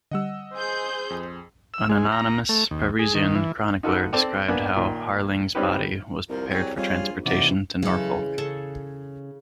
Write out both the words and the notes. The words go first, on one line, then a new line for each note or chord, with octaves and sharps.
An anonymous Parisian chronicler described how Harling's body was prepared for transportation to Norfolk.
D3 G3 D#5 F#5 E6
G#4 C5 G6
F2
E6
G#3
A#5
A3
D#2
G#4
D#3
E3
D#4 F4 F#4 A4 B4 E6
C4 A4 D5 G5
A#3 B3 D4 B4 G#5
A#2 D#3
G3 C4 C#4 D#4 G4 B4
C2 F3 A#4
F#3 G4 G#4 C#5
F2 G3 F4 G#4 C#5 F5
A#1
D#2 C3 E3 D5 E5 F#5
C#3 E3 F#3 G#3 A4
C#3 A4 C#6